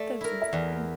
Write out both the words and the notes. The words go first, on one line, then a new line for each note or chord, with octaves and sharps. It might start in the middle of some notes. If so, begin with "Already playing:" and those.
That's insane.
Already playing: A3 D5
E4 A#4
E5
E2 D5